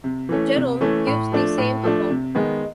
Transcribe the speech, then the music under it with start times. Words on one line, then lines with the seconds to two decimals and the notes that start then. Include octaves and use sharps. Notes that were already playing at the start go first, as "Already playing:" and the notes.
Jerome gives the same account.
0.04 C3
0.29 E3 A3 C#4
0.56 C3
0.81 E3 A3 C#4
1.07 A2
1.32 F3 A3 D4
1.58 A2
1.83 F3 A3 D4
2.10 C3
2.35 D#3 G#3 B3